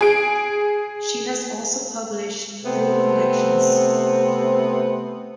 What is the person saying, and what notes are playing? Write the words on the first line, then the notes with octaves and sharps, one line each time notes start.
She has also published three collections.
G#4 D7
C3 A3 B3 C4